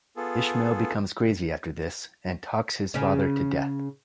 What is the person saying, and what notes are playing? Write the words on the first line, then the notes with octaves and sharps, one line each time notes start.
Ishmael becomes crazy after this, and "talks his father to death".
B3 F4 G#4 A4
C#3 C#4